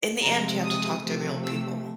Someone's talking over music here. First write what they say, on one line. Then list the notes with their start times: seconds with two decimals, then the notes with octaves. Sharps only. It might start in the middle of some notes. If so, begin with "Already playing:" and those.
in the end, you have to talk to real people.
0.22 C3 F3 G#3 A#5
0.63 D#6
1.03 C3 F3 A3
1.44 E6